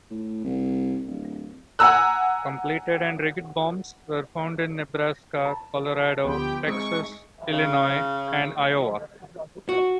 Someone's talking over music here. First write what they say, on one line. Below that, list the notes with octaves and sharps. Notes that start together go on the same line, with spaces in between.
Completed and rigged bombs were found in Nebraska, Colorado, Texas, Illinois and Iowa.
A2
C2
D1
F#5 G#5 A#5 E6 F#6
A5
D2 D3 F3 B3 G4 G5 C6
G#3 C4 D#4 E4 G#4 C#6 D#6 D7
C#3
F#4